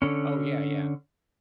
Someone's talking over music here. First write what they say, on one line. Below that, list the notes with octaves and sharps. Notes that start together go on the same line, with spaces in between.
Oh, yeah, yeah.
D3 C#4